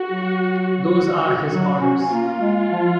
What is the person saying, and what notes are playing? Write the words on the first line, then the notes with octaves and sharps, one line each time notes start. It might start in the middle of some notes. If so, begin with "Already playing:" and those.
Those are his orders.
Already playing: F#4
F#3
F#4
F#3 F#4
C#4
A#3 F4
G#3
F3